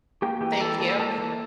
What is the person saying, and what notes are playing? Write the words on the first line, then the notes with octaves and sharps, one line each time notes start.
Thank you.
A#3 G4 G5
E3 G4 G5
A#5
E3 A4 A5
A#3 A4 A5
A#3 A4 A5
E3